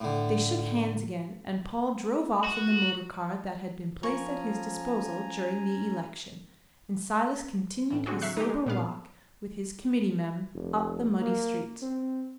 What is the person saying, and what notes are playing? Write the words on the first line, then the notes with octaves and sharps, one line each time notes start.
They shook hands again, and Paul drove off in the motor car that had been placed at his disposal during the election, and Silas continued his sober walk with his committee-men up the muddy street.
A2 D3
F#4
F3 C#4 G#5 A#5 C#6
A2 E3
D3 C4 F#4 G#4
F#3 E5 C#6 F#6 C7
D#4 G4
G#3
A#2 B3 F5
F1
A#3
C4